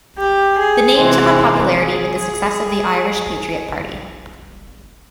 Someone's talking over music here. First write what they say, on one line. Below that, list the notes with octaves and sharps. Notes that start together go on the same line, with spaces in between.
The name took on popularity with the success of the Irish Patriot Party.
G4
G#4
C3 E3 G#3 C4
G#4
G#4